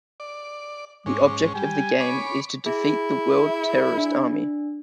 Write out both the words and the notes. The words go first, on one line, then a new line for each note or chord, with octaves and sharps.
The object of the game is to defeat the World Terrorist Army.
D5
G#2 C#4 D6
G3 G#5
C#5 B5 D6
E4 G#4
D4